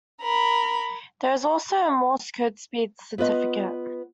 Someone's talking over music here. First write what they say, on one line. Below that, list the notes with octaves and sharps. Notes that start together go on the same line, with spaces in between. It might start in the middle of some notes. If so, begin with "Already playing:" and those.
There is also a Morse Code speed certificate.
A#4 B5
B3 F4 B4 D#5